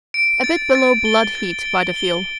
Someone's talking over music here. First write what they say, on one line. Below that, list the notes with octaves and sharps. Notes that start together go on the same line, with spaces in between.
A bit below blood-heat by the feel.
D7
A6
A6
G7
A6
D7
G7